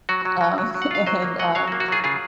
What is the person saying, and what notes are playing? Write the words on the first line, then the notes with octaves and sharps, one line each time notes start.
um, and, um,
F#3 F#4
F#3
F#3
F#3
F#3
F#5
F4 F5
F#3 C5 D#5
A#3
F#3 D#5 F#5
F#3 C#5 F5
F#4
A#3
F#4
F#3 F4 G#4
C#3 F4 G#4